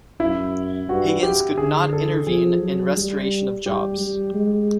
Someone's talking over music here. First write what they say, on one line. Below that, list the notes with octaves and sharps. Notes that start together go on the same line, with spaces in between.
Higgins could not intervene in restoration of jobs.
F#2 E4
G2 F#4
G4
D3 G#4
A4
F3 G#4
F#3
G3
G3 G4
G3
G#3